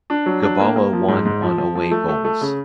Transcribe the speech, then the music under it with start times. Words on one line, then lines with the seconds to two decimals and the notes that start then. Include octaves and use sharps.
Gabala won on away goals.
0.10 D4
0.26 F#3
0.43 D4
0.60 A#3
0.76 A#3
0.93 F3
1.08 G#2
1.25 G#2
1.42 F3
1.58 F3
1.75 F3
1.91 A3
2.08 A3
2.24 A3
2.41 C#3